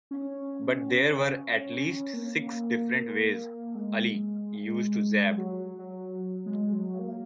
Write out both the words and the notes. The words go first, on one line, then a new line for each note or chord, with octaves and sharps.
But there were at least six different ways Ali used to jab.
C#4
A#3
G#3
F#3
F#3
G#3
F#3
A#3